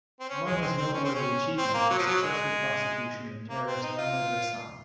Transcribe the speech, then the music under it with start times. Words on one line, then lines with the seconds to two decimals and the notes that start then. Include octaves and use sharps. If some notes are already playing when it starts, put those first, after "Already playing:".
Among his noteworthy achievements the successful prosecution of terrorist Ahmed Ressam.
0.20 C4
0.29 C#4
0.46 G#3
0.61 C4
0.77 C4
0.93 C#4
1.04 C4
1.15 C#4
1.58 C4
1.74 A#3
1.90 F#3
1.99 F3
2.06 F#3
2.22 G#3
3.50 A#3
3.66 C4
3.82 D#4
3.98 F4